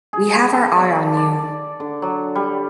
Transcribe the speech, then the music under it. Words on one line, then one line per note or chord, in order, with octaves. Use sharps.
We have our eye on you.
G#4
G#5
A4
D5
D5
D3
F#3
G3